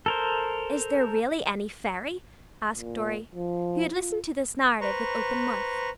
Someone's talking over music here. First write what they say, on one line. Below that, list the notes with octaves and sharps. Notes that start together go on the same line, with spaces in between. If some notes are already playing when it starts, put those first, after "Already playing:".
"Is there really any fairy?" asked Dorry, who had listened to this narrative with open mouth.
A4 A#4 C5
A#2
F3
F4
B4 C5 A#5 C#6